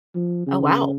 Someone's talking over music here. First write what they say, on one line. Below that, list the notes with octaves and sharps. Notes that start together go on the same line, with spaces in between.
Oh, wow.
F3
C#3